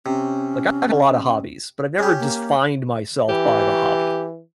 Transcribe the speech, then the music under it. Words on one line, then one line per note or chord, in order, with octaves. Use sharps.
Like, I have a lot of hobbies, but I've never defined myself by the hobby.
C3 C#4
C#4 G4 G#4
A#3
E3 G4